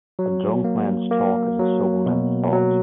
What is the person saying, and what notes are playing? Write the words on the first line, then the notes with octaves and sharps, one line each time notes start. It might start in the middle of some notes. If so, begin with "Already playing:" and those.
A drunk man's talk is a sober man's thought.
F#3
A#3
A#3
F#3
B2
F#3